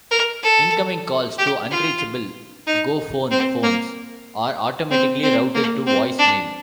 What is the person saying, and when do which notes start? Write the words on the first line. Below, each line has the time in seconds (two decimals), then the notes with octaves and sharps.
Incoming calls to unreachable GoPhone phones are automatically routed to voice mail.
0.11 A#4
0.43 A4
1.38 G4
1.71 F4
2.66 D#4
3.31 C4
3.63 A#3
4.90 C4
5.23 C4
5.55 A#3
5.86 C4
6.18 D4